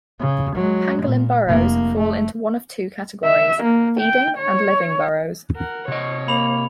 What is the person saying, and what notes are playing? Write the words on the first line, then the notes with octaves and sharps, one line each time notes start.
Pangolin burrows fall into one of two categories: feeding and living burrows.
C#3
F#3 G#3
A#2
F1 A#3
A3
E5
A#3
G5
C#5
A#4 F#5
C3 C#5 D#5
A#3 B5 F7